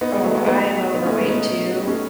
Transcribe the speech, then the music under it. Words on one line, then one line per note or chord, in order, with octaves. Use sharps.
Oh, I'm overweight too.
B3 D#4
G#3 B3
F#3 A3
G#3 B3
B3 D#4
B3 D#4
A3 C#4
G#3 B3
B3 D#4
D#4
A3 C#4